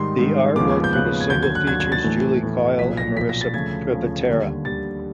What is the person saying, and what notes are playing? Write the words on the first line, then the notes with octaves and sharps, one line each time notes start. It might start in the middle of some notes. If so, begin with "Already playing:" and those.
The artwork for the single features Julie Coyle and Marisa Privitera.
Already playing: G#2 D#3 G3 C6
G#2 D#3 G3
D#2 C#3 F3 G#3 B3 D6
G6
D#2 C#3 F3 G#3 B3 F#6
G#6
D#2 D3 F#3 G6
G#6
F#6
D#2 D3 F#3 G#6
G#6
A6
A2 E3 A3
A2 E3 A3
B1 A#2 F3 B6
A#6
B1 A#2 F3 B6
A#6
A6
D2 C#3 F3 A3 G#6
D2 C#3 F3 A3
D#2 D3 G3
D#2 D3 G3 A6